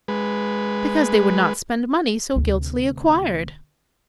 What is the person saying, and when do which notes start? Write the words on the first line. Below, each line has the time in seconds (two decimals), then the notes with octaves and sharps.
"Because they would not spend money so guiltily acquired."
0.08 G#3 B4
2.36 D2 C3